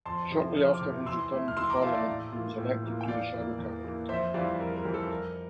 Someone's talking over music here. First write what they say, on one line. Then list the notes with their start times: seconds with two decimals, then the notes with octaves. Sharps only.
Shortly after his return to Parliament, he was elected to the shadow cabinet.
0.06 F2 A5 C6
0.31 C3 F3 C4 E4
0.56 F2 F6
0.74 D6 F6
0.81 C3 F3 C4 E4
1.06 E3 C6 E6
1.32 A3 E4
1.48 F6
1.57 E3 C6 E6
1.70 A#5 D6
1.82 A3 E4 F5 A5
1.95 D5 F5
2.08 A2
2.33 E3 A#3 F4
2.58 A2
2.83 E3 A#3 F4
3.01 G5
3.08 E2 D5 F5
3.34 E3 A#3
3.58 E2
3.84 E3 A#3
4.09 F2 C5 E5
4.34 E3 G3 C4 F4 D5 F5
4.60 F2 A#4
4.76 A#4
4.85 E3 G3 C4 F4
4.94 A4
5.10 F2 A#4